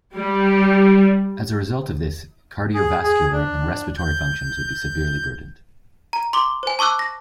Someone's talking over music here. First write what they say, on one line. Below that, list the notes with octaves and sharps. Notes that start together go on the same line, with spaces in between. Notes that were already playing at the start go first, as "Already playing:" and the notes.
As a result of this, cardiovascular and respiratory functions would be severely burdened.
G3
G#4
G#4
D4
G6
A#5
C6 D6 G7
C5 G#5
A5 C#6 D6 E6 F#6
A#6